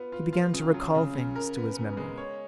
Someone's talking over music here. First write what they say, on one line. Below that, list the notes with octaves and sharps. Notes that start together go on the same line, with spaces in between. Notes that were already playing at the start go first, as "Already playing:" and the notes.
He began to recall things to his memory.
Already playing: B3 F4
F4
F4
C#3
F#3
C#3
C#3
A#4
B3
B3
G#3
C#5